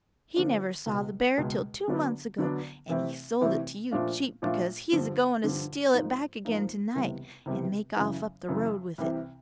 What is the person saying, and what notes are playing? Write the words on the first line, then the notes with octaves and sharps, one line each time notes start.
He never saw the bear till two months ago, and he sold it to you cheap because he's a-goin' to steal it back again to-night, and make off up the road with it.
D3 F3 A#3 D4 F4
C#2 B2 G#3
C#2 B2 G#3
D3 F#3 B3 D4
D3 F#3 B3 D4
C3 E3 A3 C4 E4
C3 E3 A3 C4 E4
A#2 F3 A3 D4 F4
A#2 F3 A3 D4 F4
G2 D3 F3
G2 D3 F3
G#2 F3 A#3 D#4
G#2 F3 A#3 D#4
C#2 C3 E3 G3 B3
C#2 C3 E3 G3 B3
F#2 C#3 E3
F#2 C#3 E3
C2 C3 E3